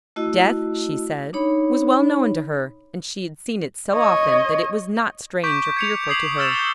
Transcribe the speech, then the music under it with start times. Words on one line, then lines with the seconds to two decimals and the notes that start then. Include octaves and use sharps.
Death, she said, was well known to her, and she had seen it so often that it was not strange or fearful to her.
0.16 A3 E4 F#4 D#5 E6
1.33 D4 D#4 C#5 B5
3.93 C#5 D#5
5.44 C#6 D6 G6 B6 D7
5.77 G#6 C#7 F7
6.08 D6 D#6 G#6 C7 F#7
6.38 E6 F6 A6 E7
6.55 G6 G7